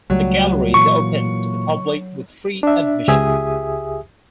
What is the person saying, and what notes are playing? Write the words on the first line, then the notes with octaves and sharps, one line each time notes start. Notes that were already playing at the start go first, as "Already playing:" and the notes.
The gallery is open to the public with free admission.
C#2 F#3 G3 A3
A#2 E3 A#3 C#6
D4 E5
C#2 G4 G#4 E5 G#5 D#6